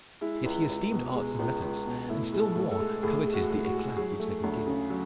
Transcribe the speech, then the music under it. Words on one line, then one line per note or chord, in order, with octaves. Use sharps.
Yet he esteemed arts and letters, and, still more, coveted the eclat which they could give.
G#3 E4
C#2
C#2
B2
G#3
C#2
C#2
B2
A2 E4
G#3
A4
A2
A4
G#3
A2 G#4
G#3
F#4
A2
F#4
G#3
F#3 G#4
A3
D2
C#3
F#3